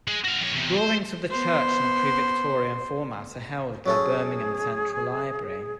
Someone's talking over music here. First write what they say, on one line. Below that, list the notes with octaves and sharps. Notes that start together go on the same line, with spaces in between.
Drawings of the church in the pre-Victorian format are held by Birmingham Central Library.
G#3
F#4 F5
F2 C#5
E2 C3
C5
B3 C5
F#3 C#4 G#4 A4